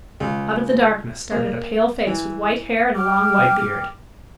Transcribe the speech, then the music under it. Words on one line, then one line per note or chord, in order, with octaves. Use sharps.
Out of the darkness started a pale face with white hair and long white beard.
C#2
A#3
E3
G5 D6 F6